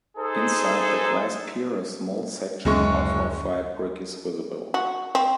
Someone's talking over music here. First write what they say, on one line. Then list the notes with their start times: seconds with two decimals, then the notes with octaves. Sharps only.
Inside the glass pier a small section of off white brick is visible.
0.17 D#4 G#4 A4 C5
2.65 F#1 D2 G#3 C#6
4.74 F#4
5.15 C4